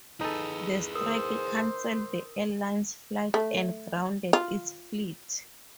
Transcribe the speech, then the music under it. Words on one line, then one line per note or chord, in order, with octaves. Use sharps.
The strike cancelled the airline's flights and grounded its fleet.
D#4 G#4 A4 B4
A#4 C5 D#6 E6
A3
F4